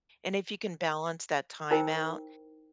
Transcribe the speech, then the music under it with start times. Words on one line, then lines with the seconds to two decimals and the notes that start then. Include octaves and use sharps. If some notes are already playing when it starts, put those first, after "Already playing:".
And if you can balance that time out
1.71 D#4 E4 A#4 C5 G5